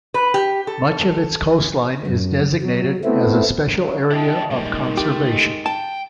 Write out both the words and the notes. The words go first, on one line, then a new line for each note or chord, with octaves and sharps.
Much of its coastline is designated as a Special Area of Conservation.
B4
G4
A4
F#2
F#3
A3 B3 C4 E4
C#3 F#3
C2 E4 G4 D#5 A5
A#2 D#3 G3 G#3
A3 G4
G5 A5